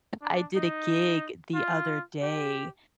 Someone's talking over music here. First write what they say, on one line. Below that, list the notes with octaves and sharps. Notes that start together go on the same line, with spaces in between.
I did a gig the other day
D4
D#4
F4
G4